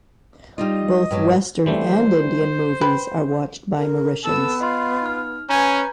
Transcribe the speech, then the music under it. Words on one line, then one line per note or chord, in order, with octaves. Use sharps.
Both Western and Indian movies are watched by Mauritians.
G3 D#4 F4 D#5
G2 F#3
E3 G3 A3 C5
B4 G5
A#4
B3 A4 E6
F4 D#5 C6
D#4 F6
C#4 B4 G#5 A#5 G6 G#6